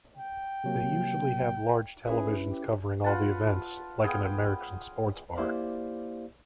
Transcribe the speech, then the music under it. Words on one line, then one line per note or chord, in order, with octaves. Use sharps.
They usually have large televisions covering all the events, like an American sports bar.
G5
C3 F#3 A#3
C#4 E4 G#4 B4
G4
F4 B4 F#5 A5
B3 G#4 F5 G5
A#3 E4 G4 C5 D5 F5